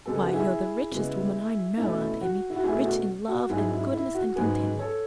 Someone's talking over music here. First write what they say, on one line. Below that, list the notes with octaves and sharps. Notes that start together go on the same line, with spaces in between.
"Why, you are the richest woman I know, Aunt Emmy--rich in love and goodness and contentment."
C#3 G#3 B3 A4
G#4
F#4
E4 G#4
C#3 G#3 B3
B2 A3 C#4 E4
F#4
E4
F#4
B2 A3 C#4 E4 G#4
F#4
F#4
G#2 F#3 C#4 E4 G#4
E4
E4
F#4
G#2 F#3 C#4 G#4 B4
A4 C#5